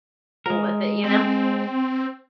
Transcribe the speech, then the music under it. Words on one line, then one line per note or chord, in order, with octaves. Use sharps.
full with it, you know?
G#3 A#4
C4